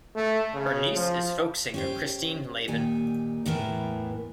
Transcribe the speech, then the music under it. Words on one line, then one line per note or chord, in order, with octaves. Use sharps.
Her niece is folk singer Christine Lavin.
A3
C#3
F3
C#4 G4 C5
A#2 D#3 G4 G#5
E2 A2 E3 A#4 B4